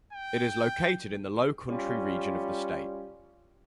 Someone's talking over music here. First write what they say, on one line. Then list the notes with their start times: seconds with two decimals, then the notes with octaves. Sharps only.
It is located in the Lowcountry region of the state.
0.13 G5
1.69 G3 C#4 F4